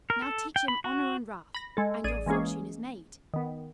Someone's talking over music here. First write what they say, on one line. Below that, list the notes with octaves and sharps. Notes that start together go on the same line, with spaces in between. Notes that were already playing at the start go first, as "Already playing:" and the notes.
Now teach him 'honor and ruff' and your fortune is made.
A#4
A4
G5
B5
F#4
B5 A#6
G#3 A4
A1 G#4 D5 D#7
E3 G#3 A#3 C#4 G#4
D#3 B3